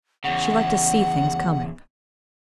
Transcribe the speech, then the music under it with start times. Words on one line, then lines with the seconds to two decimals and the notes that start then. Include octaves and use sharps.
She liked to see things coming.
0.24 E2 C#3 F#5